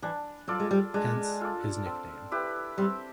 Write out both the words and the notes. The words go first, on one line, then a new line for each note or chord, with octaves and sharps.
Hence, his nickname.
E3 D4
F#3 F4 A4 D5
G#3
G3
G#3 D4
F4 A4 D5
C4
E4 G4 B4
G3 C4